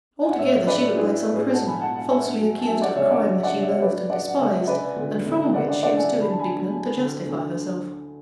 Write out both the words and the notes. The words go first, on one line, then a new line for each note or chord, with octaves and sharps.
Altogether she looked like some prisoner, falsely accused of a crime that she loathed and despised, and from which she was too indignant to justify herself.
G#5
F#5
A1 C#5 E5
A1 B4 D5
F#3 E4 G#4
A2
G#4 B4
B2 F#5 A5
G#5 B5
B2 F#5 A5
F#5 A5
E1 E5 G#5
F#3
A5
F#3 E5 G#5
D5 F#5
C#2 C#5 E5
D5 F#5
F#3
D5 F#5
C#2
C#5 E5
C#5
F#3 B4 D5
F#3 D5 F#5
F#5
C#2 E5 G#5
C#3 B4 D5
D2
D2
C#3 D5 F#5
D5 F#5
E3 D5 F#5
E5 G#5
D2
B5
A5
F#3 G#5 B5
F#3
D3
D2